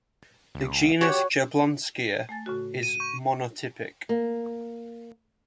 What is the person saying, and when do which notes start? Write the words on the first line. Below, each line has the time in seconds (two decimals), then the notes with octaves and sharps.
The genus Jablonskia is monotypic.
0.55 C#2
1.01 F#4 G4 C#5
2.29 A3 G#5 A6
2.46 A2 C#3 F#4
2.83 D#7
3.00 C#6 G6
4.09 A#3